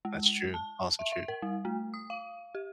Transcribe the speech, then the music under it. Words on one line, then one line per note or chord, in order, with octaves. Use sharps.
That's true, also true.
G#3
A5
E5
E5
A#4
G3
A3
D#6
F5
G4